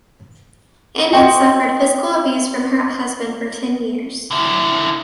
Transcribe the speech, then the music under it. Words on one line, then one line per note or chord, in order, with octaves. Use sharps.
Anand suffered physical abuse from her husband for ten years.
C4 D#5 G5 C6
D3 E4